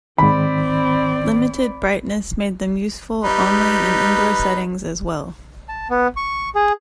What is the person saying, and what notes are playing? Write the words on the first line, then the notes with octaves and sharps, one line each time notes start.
Limited brightness made them useful only in indoor settings as well.
G#2 D#3 C4 D5 B5
G3 D#4 B4
A5
B3
C#6
G#4